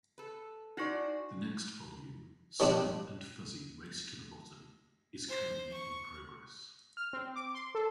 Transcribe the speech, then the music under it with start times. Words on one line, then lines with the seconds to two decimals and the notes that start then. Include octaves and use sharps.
The next volume, "Sam and Fuzzy Race to the Bottom", is currently in progress.
0.18 A4 B4
0.77 D#4 E4 F#4 C5 D5 C#6
2.60 D#3 F3 G3 C4 D4
5.29 C5
5.73 C#6
6.97 F6
7.13 C4
7.35 D6
7.54 C6
7.75 A4